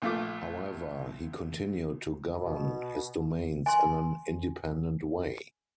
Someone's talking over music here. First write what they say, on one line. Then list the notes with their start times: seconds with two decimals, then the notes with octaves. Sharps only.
However, he continued to govern his domains in an independent way.
0.02 A#1 A3 F4 D6
2.35 B2
3.66 G#5 C6